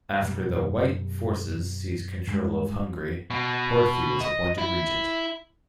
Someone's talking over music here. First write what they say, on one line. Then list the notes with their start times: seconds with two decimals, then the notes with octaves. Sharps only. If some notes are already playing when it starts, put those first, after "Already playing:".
After the "white" forces seized control of Hungary, Horthy was appointed Regent.
0.22 F#2 B2 G3
2.27 G2 G#3
3.30 B2
4.21 D#5
4.58 E4